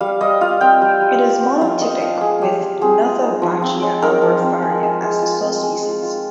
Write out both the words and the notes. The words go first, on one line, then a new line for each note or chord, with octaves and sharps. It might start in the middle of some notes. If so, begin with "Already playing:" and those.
It is monotypic with "Nothobachia ablephara" as the sole species.
G3 F5
G3 D#5
F4 F5
C4 G5
G3
G3
F4
C4
F3 F5
F3 D#5
C4 F5
G#3 G#4
F3 G4
F3
C4 G#4
G#3
D#4
F3
C4
G#3
D#4 A#4
F3
C4
G#3
G#3
G#3
F4
C4
G#3
G#3
F4